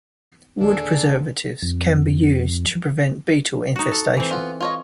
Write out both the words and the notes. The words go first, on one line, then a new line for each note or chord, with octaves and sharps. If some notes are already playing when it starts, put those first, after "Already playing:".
Wood preservatives can be used to prevent beetle infestation.
D#2 A#2 D3 D4 G#4 A4
F2
D#4 F#4
A4
E3 C4
B3 F4
F4 C#5 D#5